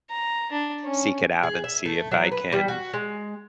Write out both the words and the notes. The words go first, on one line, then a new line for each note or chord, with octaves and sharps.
seek it out and see if I can
A#5
D4
C#4
G#4
E5
A3
F#3
B4
G3
F#4
G#3